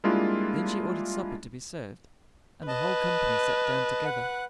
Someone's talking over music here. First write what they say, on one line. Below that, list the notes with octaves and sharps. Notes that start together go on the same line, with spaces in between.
Then she ordered supper to be served, and the whole company sat down together.
G3 G#3 A#3 D4 E4 F4
B4 D#5 A5
F#5